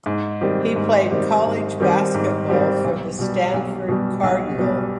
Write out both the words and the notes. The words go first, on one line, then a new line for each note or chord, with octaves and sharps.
He played college basketball for the Stanford Cardinal.
G#2
D#3 G3 C4 G4
G#2
D#3 G3 C4 G4
G#2
D#3 G3 C4 G4
G#2
D#3 G3 C4 G4
B1
B2 G3
B1
B2 G3
B1
B2 G3